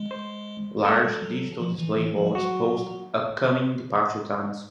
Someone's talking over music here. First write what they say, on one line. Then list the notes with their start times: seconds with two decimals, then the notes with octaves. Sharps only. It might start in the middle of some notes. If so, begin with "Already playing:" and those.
Large digital display boards post upcoming departure times.
Already playing: G#3
0.11 C5
0.85 A3 A4
1.04 G3
1.22 F#3
1.59 F3
1.79 E3
1.97 E3
2.16 F3
2.26 G3
2.35 F#3 F#4